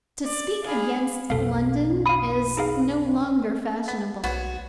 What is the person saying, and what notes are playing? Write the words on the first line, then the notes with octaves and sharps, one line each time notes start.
To speak against London is no longer fashionable.
D5
G#4 F5 B5
B1 F2 A4 F5
F5 B5 D#6 D#7
D#4 G#4 F5
B3
B1 B3 F#4 C5 C#5